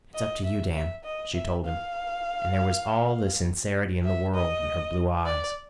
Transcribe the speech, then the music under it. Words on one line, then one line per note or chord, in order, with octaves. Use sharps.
"It's up to you, Dan," she told him, and there was all the sincerity in the world in her blue eyes.
D#5
E5
E5
D#5
E5
F5
E5
D#5
D5